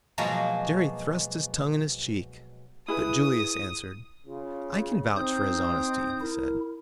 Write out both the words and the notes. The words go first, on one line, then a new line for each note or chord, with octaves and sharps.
Jerry thrust his tongue in his cheek, but Julius answered, "I can vouch for his honesty," he said.
B2 F3 F#3 G#3 A#3
E4 G#4 B4 D#6
C#3 F4
C4 D#4 D#6 G6
E4 A#4